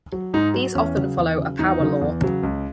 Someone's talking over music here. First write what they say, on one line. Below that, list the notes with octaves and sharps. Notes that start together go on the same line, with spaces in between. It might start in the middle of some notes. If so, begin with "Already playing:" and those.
These often follow a power law.
F#3
G#2 D#4
F#3
E2 C#4
C#3 F#3
E2
C#3 F#3
E2 D#4
C#3 F#3
E2
C#3 F#3
C#2